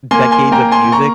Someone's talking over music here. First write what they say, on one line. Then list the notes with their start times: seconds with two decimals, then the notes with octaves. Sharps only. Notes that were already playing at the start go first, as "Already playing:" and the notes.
decades of music
0.11 A#3 G#5 C6
0.31 G#5 C6
0.52 A#3 G5 A#5
0.71 G#5 C6
0.92 A#5 C#6